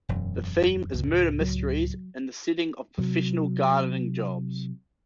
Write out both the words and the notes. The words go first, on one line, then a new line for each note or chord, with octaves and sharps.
The theme is murder mysteries in the setting of professional gardening jobs.
E1 F#2
C#2 A2
F#3
C3 F#3